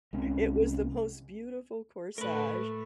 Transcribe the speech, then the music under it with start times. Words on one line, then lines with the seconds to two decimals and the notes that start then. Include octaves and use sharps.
it was the most beautiful corsage,
0.13 C2 G#3 C4 C#4
2.18 A2 A3 A#4 B4